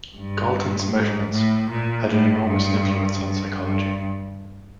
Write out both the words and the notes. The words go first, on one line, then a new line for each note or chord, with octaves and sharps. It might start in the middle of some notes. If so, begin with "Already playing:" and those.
Galton's measurements had an enormous influence on psychology.
G2
G#2
A2
A#2
A2
G2
G2
G2